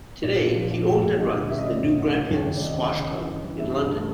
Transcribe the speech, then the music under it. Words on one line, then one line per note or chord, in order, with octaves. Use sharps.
Today, he owns and runs the New Grampians Squash Club in London.
A#2 D5
A#2
F3
F3
A#2
A#2
D2 D#5
D2
C#3 E5
D#5
C#3 D5
D2
D2
C#3
D#2
D#2
D5
C#3 D#5
C#3
C#3
E3
G2
E3
G2 E5
G2
A3